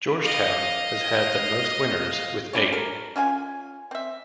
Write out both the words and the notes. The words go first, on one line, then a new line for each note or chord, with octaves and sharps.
Georgetown has had the most winners, with eight.
D#5 F5
C4 D4 E4 C#5
A4 A#4
C#4 F4 F5 G#5
C4 E5